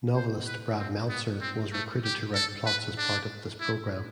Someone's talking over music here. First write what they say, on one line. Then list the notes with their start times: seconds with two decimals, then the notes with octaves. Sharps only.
Novelist Brad Meltzer was recruited to write plots as part of this program.
0.16 C5
0.47 B4
0.78 C4
1.09 B3
1.41 C4
1.73 A3
2.04 G4
2.35 A4
2.66 B4
2.98 D4
3.60 E4